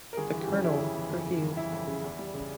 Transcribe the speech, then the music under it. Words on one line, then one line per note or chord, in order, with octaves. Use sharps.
The colonel refused.
A#4
G1 G#4
E3
G4
F2 C#4
C#3 E4
G1
E3
F2
C#3
G1
E3 E4
F2
C#3
E2
G3
C#3